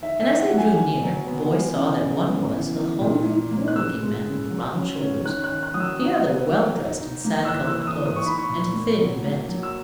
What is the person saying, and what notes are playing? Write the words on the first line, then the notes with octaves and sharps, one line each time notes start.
And as they drew near the boy saw that one was, a homely poor-looking man with round shoulders, the other, well dressed in sad-colored clothes, and thin and bent.
D#3 E5
E5
C#4
F#5
A#3
G#5
D#3 G#5
F#3
B3
E3
C#3
C#3
B3
E3
E3
A#2
A#3
A#3
F#6
C#3 E6
G#3
C#3
F#3
C#4
C#4
D#3 F#6
F#6
D#3
F#6
F#3 D#6
E6
B3 D#6
B3
F#3
D#4
D#4
A#3
E6
E3 F#6
E6
E3
E6
D#6
E3
D#6
C#6
D#4 B5
C#6
A#2
A#3
F#3
A#3
F#3
E6